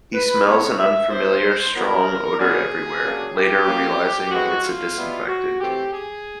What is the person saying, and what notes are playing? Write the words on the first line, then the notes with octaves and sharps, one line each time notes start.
He smells an unfamiliar strong odour everywhere, later realising it is disinfectant.
B4
C3 F3 G#3 B3 E4 C#5
E5
F#3 B3 E4 C5
B2 F#3 B3 E4 A#4
A#2 F#3 B3 D4 F4 G#4
C#3 F#3 A#3 D4
G4
F#3 A#3 C#4
A2 E3 G#3 C4 F#4
F4
B2 G3 B3 E4
F#4
E3 A3 C4 G4
G#4